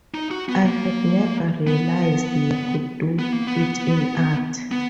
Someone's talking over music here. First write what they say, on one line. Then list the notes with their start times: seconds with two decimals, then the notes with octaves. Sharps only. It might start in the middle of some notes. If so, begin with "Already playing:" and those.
I had never realized you could do it in art.
0.14 D#4
0.31 F#4
0.49 B3
0.65 A#3
1.67 B3
3.19 B3
3.32 A#3
3.47 B3
4.71 B3